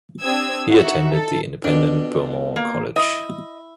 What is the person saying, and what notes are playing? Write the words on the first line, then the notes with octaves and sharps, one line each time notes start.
He attended the independent Beaumont College.
C4 D4 G4 D#6 E6 G#6
D#4 F#4 E5
A4
F2 B2 D4
A#3
E4 D#5